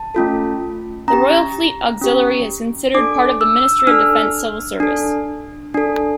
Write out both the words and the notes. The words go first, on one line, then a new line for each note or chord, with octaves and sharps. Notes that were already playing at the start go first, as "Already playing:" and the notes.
The Royal Fleet Auxiliary is considered part of the Ministry of Defence Civil Service.
Already playing: A5
A3 C#4 F4 A4
C#4 G4 A#5
C#4 G4
D4 A4 D6
E6
E6
D4 A4 F6
D4 A4
D4 A4